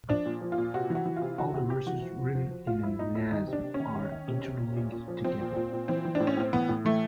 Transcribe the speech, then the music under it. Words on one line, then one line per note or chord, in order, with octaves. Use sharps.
All the verses written in a Nazm are interlinked together.
F3 D4
A#2
F3
F4
A#2
C3 F#4
E3
F#4
E3
F4
C3
E3 F#4
C3 F#4
C3 G4
E3 F#4
F3
F3
F3
F3
A#2 F4
F3 E4
A#2 D#4
A#2 E4
D#3 D#4
C3
D4
C3
C#4
D#3
D#3
D#3
C3
C3
A#2
A#2
A#2
F3
F3 C4
A#2
A#2
A#2
E3 C4
E3
D4
A2
C#4
A2 C4
E3 B3
A2
E3 A3